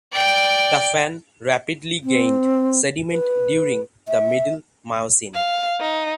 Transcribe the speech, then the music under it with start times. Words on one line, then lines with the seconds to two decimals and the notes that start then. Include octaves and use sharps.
The fan rapidly gained sediment during the middle Miocene.
0.12 D5 G5
2.04 C4
3.11 B4
4.08 E5
5.34 F5
5.80 D#4